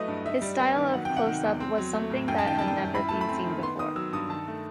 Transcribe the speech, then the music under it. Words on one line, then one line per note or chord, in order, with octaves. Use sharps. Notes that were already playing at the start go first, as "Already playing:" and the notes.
His style of close-up was something that had never been seen before.
Already playing: F#3 A3 E4 B4 D#5
G2
D#4 E5
G3
B3
D#3
F#3 F#5
C3 G5
F#5
D#3
E2
C4
F#3
A3
A2
F#2 G5
A5
D#3 G5
G3 A5
G5
F#2
E4 B5
A3 A5
B5
C4
D#3
B3 C6
D#3 D#6
F#3 E6
G2 D#6
D#3 A5
A3